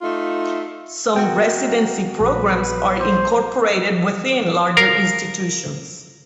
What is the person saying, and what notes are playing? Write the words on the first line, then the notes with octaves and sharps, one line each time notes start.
Some residency programs are incorporated within larger institutions.
A3 D#4 F4 E5
B3 F#4 A#4 G5
A#1 B4
C5
A#4 F5